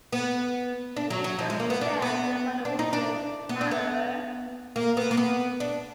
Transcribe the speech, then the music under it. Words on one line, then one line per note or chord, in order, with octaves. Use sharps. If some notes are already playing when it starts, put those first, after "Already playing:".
The single failed to find an audience, however.
B3
D4
F#3
F#3
F3
G#3
A#3
B3
D4
B3
D4
D#4
D4
B3
D4
B3
A#3
B3
A#3
B3
D4